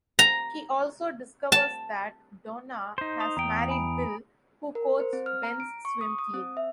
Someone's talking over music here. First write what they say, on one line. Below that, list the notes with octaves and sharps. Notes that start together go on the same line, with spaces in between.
He also discovers that Donna has married Bill, who coached Ben's swim team.
A#5
A5
D#4 C5
D#6 F7
E2 G5 A#5
G#5 B5 D7
A#4
C5
C4
F6
A#5
D7
C#6
D#6
D#6
C4
E5